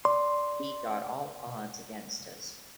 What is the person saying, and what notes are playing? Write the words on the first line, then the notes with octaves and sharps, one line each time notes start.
We got all odds against us.
D5 C6